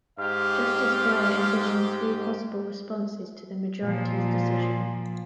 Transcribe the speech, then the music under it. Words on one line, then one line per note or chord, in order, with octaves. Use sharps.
Justice Breyer envisioned three possible responses to the majority's decision.
G#2 G4 F5
A#2 F3